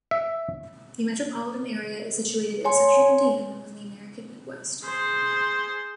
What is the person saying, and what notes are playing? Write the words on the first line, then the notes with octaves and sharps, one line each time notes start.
The metropolitan area is situated in Central Indiana, within the American Midwest.
E5
C#5 G#5 C6
G#4 C5